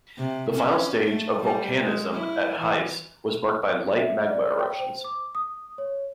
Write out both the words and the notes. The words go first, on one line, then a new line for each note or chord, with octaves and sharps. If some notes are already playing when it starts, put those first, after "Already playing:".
The final stage of volcanism at Heise was marked by "light" magma eruptions.
C3
C#4
A3
G3
G#3
E4
E3
E5
D5
G5
C5
D6
D#6
C#5